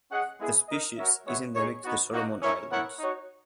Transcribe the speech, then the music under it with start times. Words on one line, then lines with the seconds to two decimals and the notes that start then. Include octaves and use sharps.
The species is endemic to the Solomon Islands.
0.11 C#4 G#4 D#5 F#5
0.39 G#3 B3 E4 G#4
0.69 D#4 A#4 D#5
0.98 F#4 A#4 C#5 E5
1.26 G#3 B3 F#4 C#5 E5
1.55 D#4 G#4 C#5
1.84 B3 D#4 F#4
2.13 A#3 D#4 F#4
2.42 C#4 E4 A#4 C#5 E5
2.71 B3 E4 A#4 C#5 F#5
2.99 D#4 F#4 C#5